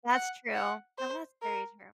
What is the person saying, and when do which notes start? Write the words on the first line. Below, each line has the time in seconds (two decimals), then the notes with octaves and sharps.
That's true. No, that's very true.
0.11 F#5
0.55 F#5
0.98 C5
1.42 A#4